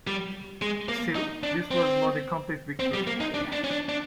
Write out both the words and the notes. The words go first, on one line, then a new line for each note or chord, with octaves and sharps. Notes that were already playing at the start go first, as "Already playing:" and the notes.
Still, this was not a complete victory.
G3
G#3
A#3
D#4
D4
C4
C4
G3
A#3
D#4
D4
D4
C#4
D4
D4